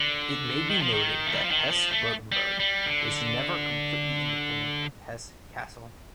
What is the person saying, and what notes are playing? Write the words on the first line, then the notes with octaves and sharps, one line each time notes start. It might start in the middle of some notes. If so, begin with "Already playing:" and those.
It may be noted that Hesse-Rotenburg was never completely independent of Hesse-Kassel.
Already playing: D3
D#3
F3
D#3
A3
G3
F3
D#3
F3
A3
G3
G3
D3